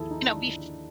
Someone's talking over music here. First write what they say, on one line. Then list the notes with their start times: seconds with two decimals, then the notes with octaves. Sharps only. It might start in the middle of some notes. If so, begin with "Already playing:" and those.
you know, bef
Already playing: D#2 F3 E4 G#4 A4
0.11 D#4
0.28 D3 D4